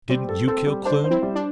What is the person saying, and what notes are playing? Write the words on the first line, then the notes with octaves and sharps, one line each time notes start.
"Didn't you kill Kloon?"
G3 C4
A4
C4 A4
G3
D4 C5
C5
C4 E4
G3
D4